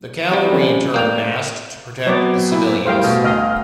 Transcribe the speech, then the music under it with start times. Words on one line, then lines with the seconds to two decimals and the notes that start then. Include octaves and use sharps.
The cavalry, in turn, massed to protect the civilians.
0.31 C3 G3
0.51 F3 C4 C#4
0.94 A#3 D5 G5 F7
2.07 F#3 B3 C4 C#5 D5
2.52 A#2 E4
2.85 A2 G3 A#4 C5 F5 G5
3.04 B2 A3
3.24 D2 D#5 F5 F6